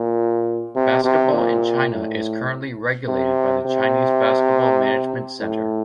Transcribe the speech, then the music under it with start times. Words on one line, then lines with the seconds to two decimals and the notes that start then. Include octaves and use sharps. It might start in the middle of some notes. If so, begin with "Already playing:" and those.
Basketball in China is currently regulated by the Chinese Basketball Management Center.
Already playing: A#2
0.76 C3
1.04 C3
1.33 A#2
1.91 A2
3.08 C3
3.66 C3
5.40 A2